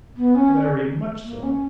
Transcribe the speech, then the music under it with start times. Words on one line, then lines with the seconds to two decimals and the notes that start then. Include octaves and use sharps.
"Very much so."
0.17 B3
0.35 C#4
1.24 A#3
1.43 C#4